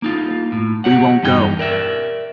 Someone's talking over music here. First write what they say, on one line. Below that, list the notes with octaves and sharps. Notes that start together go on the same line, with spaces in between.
We won't go!
A#3 D#4 F4
A2
G4 C#5 F#5
E2 G2 D#4 G5
A#4 D5 E5